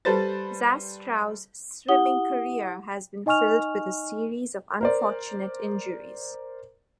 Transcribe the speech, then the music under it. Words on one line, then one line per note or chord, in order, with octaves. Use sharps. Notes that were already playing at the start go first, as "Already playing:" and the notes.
Zastrow's swimming career has been filled with a series of unfortunate injuries.
G3 A4 B4 C5 A6
E4 G4 F#5 D#6 G7
D#4 D#5 G#5 C#6 F6 F7
A#4 C5 D5